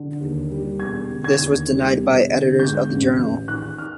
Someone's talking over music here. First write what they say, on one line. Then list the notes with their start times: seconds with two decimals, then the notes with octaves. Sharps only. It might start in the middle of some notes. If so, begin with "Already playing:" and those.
This was denied by editors of the journal.
Already playing: D3
0.20 D#2
0.50 G3
0.80 E1 G#6
1.10 D3
1.24 G#6
1.40 D#2
1.70 G3
1.99 E1
2.29 D3
2.59 G#2 G6
2.89 A1
3.18 A1
3.48 D#3 F#6
3.78 F6